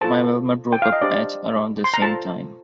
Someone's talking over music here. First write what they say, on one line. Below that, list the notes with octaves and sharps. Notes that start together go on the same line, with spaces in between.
My Velma broke up at around the same time.
F4 A4 C5 A5
G5
F5
D#5
D4 G4 C5 D5
C6
A#5
F4 A4 C5 A5